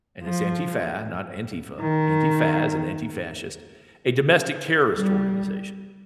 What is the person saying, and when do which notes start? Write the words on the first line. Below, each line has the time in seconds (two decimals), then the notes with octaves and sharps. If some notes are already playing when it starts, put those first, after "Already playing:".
and it's Antifa, not Antifa, Antifa as an anti-fascist, a domestic terrorist organization.
0.23 F3
1.81 D#3
4.96 G3